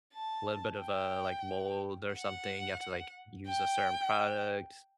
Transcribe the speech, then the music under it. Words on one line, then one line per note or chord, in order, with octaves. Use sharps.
a little bit of, uh, like, mold or something, you have to, like, use a certain product.
A5
G5
F#5
G5